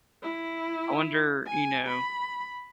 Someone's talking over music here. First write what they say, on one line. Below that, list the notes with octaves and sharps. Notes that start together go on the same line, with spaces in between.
I wonder, you know
E4
G#5
B5